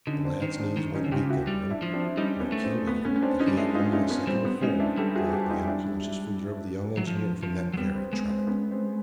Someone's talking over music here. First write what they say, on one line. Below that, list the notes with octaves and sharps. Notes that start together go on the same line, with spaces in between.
The lad's knees went weak under him when it came to him that he had only a second before dragged the unconscious figure of the young engineer from that very track.
D3 C#4 D#4
C4 D4
D#3
C4 D4
D#3
C#4 D#4
D3
C#3 F4 G4
E4 F#4
G3
D4 E4
F3
C4 D4
G3 C#4 D#4
B3 C#4
A3
C4
B3
B3 C#4
C#4
C4 D4
C#4 D#4
G3
G#3 D4 E4
D#4 F4
C#4 D#4
B3 C#4
G3 C4
B3
G#3 C#4 D#4
D4 E4
G3 G4 A4
F#4 G#4
F#4
F4 G4
D#4 F4
D4 E4
F#3
F3
F3
F#3
G3 B3
C4
G#3 B3
C4
B3 C#4
C4